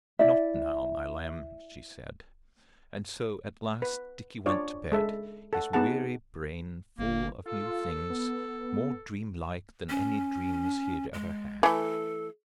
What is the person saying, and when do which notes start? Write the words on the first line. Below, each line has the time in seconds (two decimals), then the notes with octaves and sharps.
"Not now, my lamb," she said; and so at last Dickie went to bed, his weary brain full of new things more dream-like than any dreams he had ever had.
0.19 E4 D5 E5
3.82 B4
4.46 D4 F4 C#5 D5
4.92 G#3 A4 E5
5.53 A4 F#5
5.73 B3 D#4 G#4 F#5 A5
6.99 G1 A#3
7.46 F4 A4
8.10 B3
9.90 C#4
11.14 G#3
11.63 E3 A3 A4